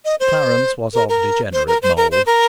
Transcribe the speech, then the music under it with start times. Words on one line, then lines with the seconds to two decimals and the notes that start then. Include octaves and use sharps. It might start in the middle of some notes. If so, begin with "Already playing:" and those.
Clarence was of degenerate mould.
0.05 D#5
0.20 C5
0.94 A#4
1.09 A#4
1.53 C5
1.67 A#4
1.82 C5
1.97 A#4
2.12 C5
2.26 A#4